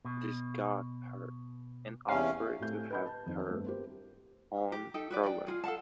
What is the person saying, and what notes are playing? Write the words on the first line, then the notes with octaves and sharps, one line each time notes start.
This got her an offer to have her own program.
B2
E2 C3 C#4 F5
A2 A3 C4 G4 E5 G6
B4 D#5 B5 G6
A5
F2 D#3
G2 A3 B3 C4
G4 A#4 C5
G4
D#4 A4 G5
F#4 B4 D5
D5 G5
F4 F#4 G#4
A4 F5 F#5 A5